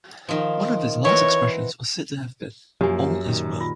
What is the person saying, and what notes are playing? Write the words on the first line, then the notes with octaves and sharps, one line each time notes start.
One of his last expressions was said to have been, All is well.
D#3 F3
E3 C4 F#4 C#5
F#2 F3 A#3 G4 G#5
A#2 D#3
F4